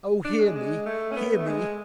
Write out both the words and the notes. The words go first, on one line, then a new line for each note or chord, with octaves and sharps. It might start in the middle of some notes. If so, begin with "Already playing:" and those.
Oh, hear me! hear me!
D4
G#3
G#3
A3
C#4
B3
A3
G#3